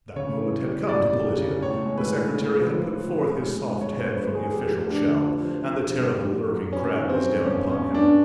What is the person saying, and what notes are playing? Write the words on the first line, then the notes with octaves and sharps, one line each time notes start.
That moment had come to Politian: the secretary had put forth his soft head from the official shell, and the terrible lurking crab was down upon him.
C#3 C#5
E3
G3
F#2 D5
G3
C#3
A2 C#5
G#3
B4
A2
A2
F3
F3
D#3
G#3
G#3
G2 C#5
C5
G2
B4
G2
G#4
F2 G4
A3
D4
D3
F3
F3
F3
G3
F#2
F#2
F#2 C#4
D#3
C4
F#2
G2 C#4
G2 C#4
G2 D4